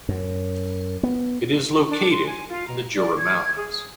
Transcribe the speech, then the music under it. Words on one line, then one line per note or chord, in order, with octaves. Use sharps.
It is located in the Jura mountains.
F#2
B3
D4
C6
G#5
F4
A#5
D5
G#6
G#4